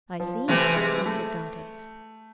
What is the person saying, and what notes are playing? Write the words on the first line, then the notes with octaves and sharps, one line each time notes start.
"I see," answered Dantes.
F3
C3 E3 A3
G#3
A3